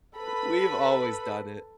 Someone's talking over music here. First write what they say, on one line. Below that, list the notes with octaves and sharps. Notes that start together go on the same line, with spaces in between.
we've always done it.
A4 B4 B5